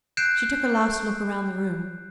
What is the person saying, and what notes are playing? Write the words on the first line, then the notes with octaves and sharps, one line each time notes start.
She took a last look round the room.
F#6 G6 C7 D7 E7